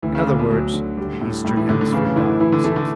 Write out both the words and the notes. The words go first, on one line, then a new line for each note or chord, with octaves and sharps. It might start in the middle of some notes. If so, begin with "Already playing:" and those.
In other words, the eastern hemisphere dial was useless.
D2 E3
C#3
D2 D3
B2
D2 F#3
D3
G3
A2
A2 G3
E3
A2 D3
D3
C#3 E3
D3 E4
E3 E4
D3
E3 A3
D3